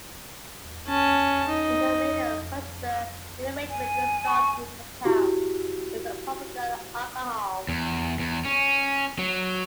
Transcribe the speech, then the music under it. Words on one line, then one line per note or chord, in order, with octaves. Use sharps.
In the Meyer-Schuster rearrangement the starting compound is a propargyl alcohol.
C#4 A5
D#4
G#5
C#6
E4 F#4 G4
E2
E2
C#4
F#3